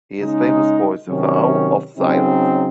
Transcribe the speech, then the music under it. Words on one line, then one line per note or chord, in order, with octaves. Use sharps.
He is famous for his vow of silence.
C#3 G#3 D#4
C3 D#3 F#3 C#4
C#3 F#3 C4 D#4